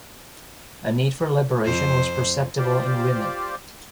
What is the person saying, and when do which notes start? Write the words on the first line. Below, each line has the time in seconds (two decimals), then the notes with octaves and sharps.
A need for liberation was perceptible in women.
1.64 F2 C5
2.58 F4 G4 C5 D5